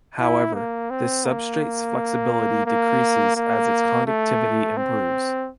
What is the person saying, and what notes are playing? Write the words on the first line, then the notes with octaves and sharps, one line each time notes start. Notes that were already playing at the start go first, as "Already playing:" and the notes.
However, this substrate's flexibility decreases as its conductivity improves.
E4
A#3
C4
A#3
A#3
A#3
A3
C4